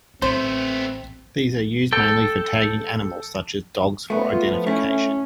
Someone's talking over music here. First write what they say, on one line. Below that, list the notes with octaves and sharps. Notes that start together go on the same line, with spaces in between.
These are used mainly for tagging animals, such as dogs for identification.
A1 A3 B3 C4 C5
A4 G5
A3 B3
F4
F3
A3 C#4 E4
C#4